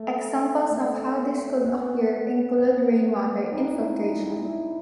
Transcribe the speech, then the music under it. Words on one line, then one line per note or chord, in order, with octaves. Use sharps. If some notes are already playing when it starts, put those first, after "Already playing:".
Examples of how this could occur include rain water infiltration.
Already playing: A3
A3
B3
B3
D#4
D4
D#4
E4
D#4
E4
E4